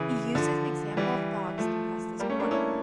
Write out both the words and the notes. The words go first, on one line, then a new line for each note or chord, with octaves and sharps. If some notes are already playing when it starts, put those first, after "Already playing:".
He uses the example of dogs to press this point.
Already playing: C#3 E3
D3 F3
E3 G3
F3 A3
G3 A#3
A3 C#4
A#3 D4
C#4 E4